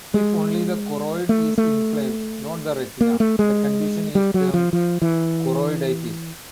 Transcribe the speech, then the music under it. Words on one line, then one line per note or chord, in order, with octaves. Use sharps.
If only the choroid is inflamed, not the retina, the condition is termed choroiditis.
G#3
A3
A3
A#3
A3
G#3
G3
F#3
F3
F3
E3